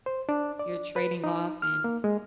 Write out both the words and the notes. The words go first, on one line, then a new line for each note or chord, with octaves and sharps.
you're trading off and
C5
D4
D5
B4
D#4
F6
A#3
G#3